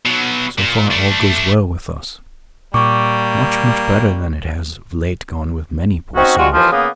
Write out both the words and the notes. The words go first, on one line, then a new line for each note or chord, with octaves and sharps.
So far all goes well with us--much, much better than it has of late gone with many poor souls.
B2 F#3
A#2
A3 D4
A#2 G3 A#3 C#6 D6
C4 C#4 D#4 F#4
G3 G#3 F4 F#4
D#2 E3 F3
C#3 A#3 B3 D#6